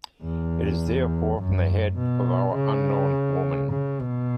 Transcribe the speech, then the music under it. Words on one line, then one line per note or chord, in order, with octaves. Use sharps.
It is therefore from the head of our unknown woman.
E2
F#2
B2
C#3
C#3
B2